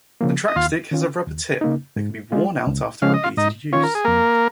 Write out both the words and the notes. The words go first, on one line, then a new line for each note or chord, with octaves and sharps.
The TrackStick has a rubber tip that can be worn out after repeated use.
C#3 F3 A#3
D#5
D#2 F4 F5
D#3 C#4 F4
D#2
C#3 A#3 D#4
G#2
G#3 F4
C#2
C#3 F3 G#3 C#4 F5
D#5
F4 F5
G#2 D#4 D#5
D#3 C#4 F4 C#5
A#4
G#4
F2 A#3 A#4